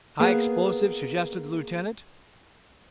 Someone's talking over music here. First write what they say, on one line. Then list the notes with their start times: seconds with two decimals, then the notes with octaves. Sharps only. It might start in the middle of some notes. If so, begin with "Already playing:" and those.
"High explosive?" suggested the lieutenant.
0.20 A#3 B3 G#4 B4 G#5